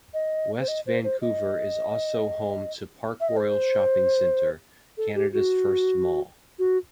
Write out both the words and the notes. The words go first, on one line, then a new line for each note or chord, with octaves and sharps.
West Vancouver is also home to Park Royal Shopping Centre, Canada's first mall.
D#5
C5
D#5
C5
C5
D#5
E5
D#5
C5
A4
G4
F#4
F#4